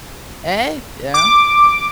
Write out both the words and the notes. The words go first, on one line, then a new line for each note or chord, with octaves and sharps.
Hey, yeah.
D6